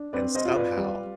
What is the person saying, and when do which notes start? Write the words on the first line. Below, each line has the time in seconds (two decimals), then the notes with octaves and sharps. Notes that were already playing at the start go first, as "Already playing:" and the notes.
And somehow
Already playing: D4
0.13 C4 B4 D5
0.35 C5 D#5
0.45 F4
0.55 B4 D5
0.77 G3